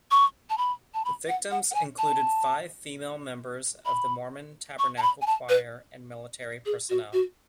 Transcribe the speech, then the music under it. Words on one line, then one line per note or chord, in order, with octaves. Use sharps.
The victims included five female members of the Mormon Tabernacle Choir and military personnel.
C#6
A5
B5
A5
B5
F#5
F#5
F#5
G#5
A5
B5
C#6
A5
B5
G#5
A5
B4
G#4
F#4
F#4